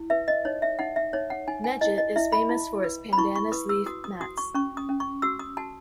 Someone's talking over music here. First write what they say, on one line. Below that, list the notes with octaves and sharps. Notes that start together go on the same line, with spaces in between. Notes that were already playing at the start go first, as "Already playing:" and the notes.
Mejit is famous for its pandanus leaf mats.
Already playing: E4
B4 E5
D#5
D#4 C#5
E5
D#4 F#5
E5
D#4 C#5
F#5
D#4 G#5
G#5
E4 D#5
D#5
E4 E5
B5
E4
B4
B5
E4 C#6
C#6
B4 D#6
E6
F#4 D#6
D#6
F#4 D#6
C#6
C#4 C#6
D#6
C#4
C#6
F#4 E6
D#6
F#4 A5